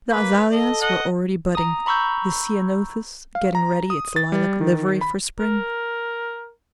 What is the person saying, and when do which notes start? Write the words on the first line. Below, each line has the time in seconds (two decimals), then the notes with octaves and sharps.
The azaleas were already budding, the ceanothus getting ready its lilac livery for spring.
0.11 A#3 B4
0.51 A4 D#5
0.81 D#5 F#5
1.55 A#5 D#6
1.86 A#5 B5 C#6 E6 G6
3.35 F5
3.55 A#5
3.90 D#6
4.16 A6
4.32 G3
4.61 D#3
5.01 B5
5.39 A#4